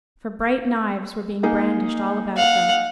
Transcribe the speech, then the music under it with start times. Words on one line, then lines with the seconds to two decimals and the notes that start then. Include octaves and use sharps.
For bright knives were being brandished all about them.
1.43 A#3 D#4 G#4
2.36 F5 F#5